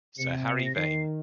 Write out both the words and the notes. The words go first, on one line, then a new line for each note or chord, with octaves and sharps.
Sir Harry Vane!
C3 C#7
C#7
C7
A#6
D#3 C7